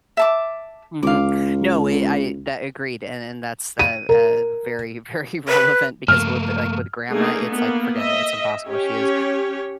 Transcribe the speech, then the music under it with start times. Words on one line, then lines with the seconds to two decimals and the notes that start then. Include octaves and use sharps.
Mhm. No, we I, that I agreed, and and that's the uh, very, very relevant because with like with grandma, it's like forget it, it's impossible. She is
0.17 E5 A5 D6
1.03 C#2 F5 D6
3.79 D#7
4.09 A#4
5.48 B4
6.08 G2 C#3 F3 A3 A#3 F6
7.12 A3 A#3 D4 D#4 G#4
7.51 A#3 B3
7.97 D#5 E5
8.65 C#4 G4 C#5